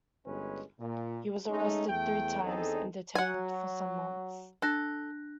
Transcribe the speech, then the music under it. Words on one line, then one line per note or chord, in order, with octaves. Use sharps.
He was arrested three times and detained for some months.
G1 G#3 C#4 B4
A#2
G#3 A3 C#4 D#4
E2 A3 G5
E2 C4 D#4 G#4 A4
F#3 F#5 G#5
D4 A4 F#6 A#6